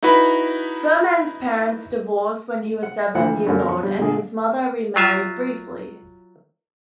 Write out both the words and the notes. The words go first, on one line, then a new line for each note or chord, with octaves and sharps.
Fuhrman's parents divorced when he was seven years old, and his mother remarried briefly.
D#4 E4 F#4 B4 B5
F#5
D2 E3 F3 E4 C5 F#5
F#2 G3 A3 A#3 F#4 A#4
F2 F#3 C#6
G3
A#2 D3 G#4
F#3 F4 E5